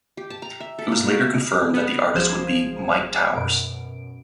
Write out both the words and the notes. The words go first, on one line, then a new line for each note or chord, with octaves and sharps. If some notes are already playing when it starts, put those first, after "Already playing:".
It was later confirmed that the artist would be Myke Towers.
G4
A5
A#5
E5
A4
A#3
F#4
E5
B3
G#1 F3 G#4 C5 G#6 E7
F#2 B2 D7